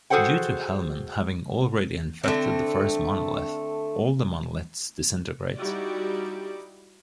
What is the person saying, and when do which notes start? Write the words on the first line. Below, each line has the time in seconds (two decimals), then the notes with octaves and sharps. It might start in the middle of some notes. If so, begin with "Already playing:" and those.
Due to Halman having already infected the first monolith, all the monoliths disintegrate.
0.10 F#4 G#4 A4 C5 F#5 G5
2.24 D3 A3 C4
5.57 G3 D#4 E4 F#4 G4 D5